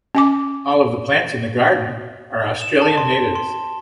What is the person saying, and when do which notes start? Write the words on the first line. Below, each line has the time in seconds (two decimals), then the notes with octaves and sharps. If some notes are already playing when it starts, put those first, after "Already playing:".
All of the plants in the Garden are Australian natives.
0.15 C#4 G#5 D6
2.61 E7
2.82 A5
2.97 C6
3.36 C6